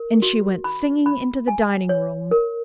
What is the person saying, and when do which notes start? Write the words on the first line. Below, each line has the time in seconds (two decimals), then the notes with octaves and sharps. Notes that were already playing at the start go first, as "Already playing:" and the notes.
And she went singing into the dining-room.
Already playing: A#4
0.22 F#4
0.64 B5
1.06 B5
1.48 G#5
1.89 C#5
2.31 A#4